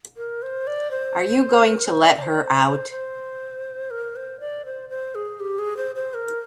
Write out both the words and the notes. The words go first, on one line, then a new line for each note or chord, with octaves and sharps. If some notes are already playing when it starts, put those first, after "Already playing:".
Are you going to let her out?
A#4
C5
D5
C5
A#4
C5
D5
D5
C5
D5
C5
C5
C5
A#4
C5
D5
C5
C5
G#4
G4
G#4
C5
C5
A#4